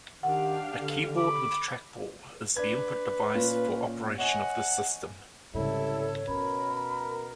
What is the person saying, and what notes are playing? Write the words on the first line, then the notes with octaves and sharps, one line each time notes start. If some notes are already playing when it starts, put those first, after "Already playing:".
A keyboard with trackball is the input device for operation of this system.
D#3 D4 G4 F5 F#5
D3
B5 D6
D4 B4 G#6
A#2 C#4 F4
C#5 D#5 F#5 G#5
C2 G#2 C#3 G3 E4 A4 C#5
B2 C#4 A#4 B5